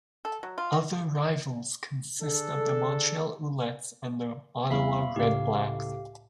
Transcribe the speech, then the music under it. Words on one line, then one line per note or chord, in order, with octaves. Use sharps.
Other rivals consist of the Montreal Alouettes and the Ottawa Redblacks.
A4
F#3
F4
D#4
D3 D4 G#4 A4
E2 G3 E5 F5 B5
C#2 A2 G4 F5